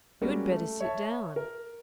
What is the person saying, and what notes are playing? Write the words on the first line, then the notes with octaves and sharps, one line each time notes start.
"You had better sit down."
G3 G#3 A#3 C#4 F#4
A3
C#5 E5 A5
A#4